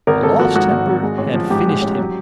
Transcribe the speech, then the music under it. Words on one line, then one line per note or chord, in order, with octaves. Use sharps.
The lost temper had finished him.
G#1 A#4
G#1 A4
F3 F#4
G#2 F#4
G#1
G#1
G#3
A1
F3
G#2 G4
G#3
A1
F#3